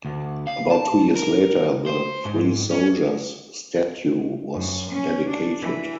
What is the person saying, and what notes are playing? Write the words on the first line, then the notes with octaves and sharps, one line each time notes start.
About two years later the Three Soldiers statue was dedicated.
D2
F5
A5
A#4
C5
G#2
C#4
F#2
C#4
D4
E3